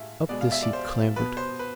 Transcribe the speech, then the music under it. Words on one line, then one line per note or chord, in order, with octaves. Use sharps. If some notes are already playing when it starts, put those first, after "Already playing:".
Up this he clambered.
Already playing: A2 G#3 E5 F5
B2 G#3 B3 D5
F5
E5
D5
C5
B2 B3 B4
C5
B4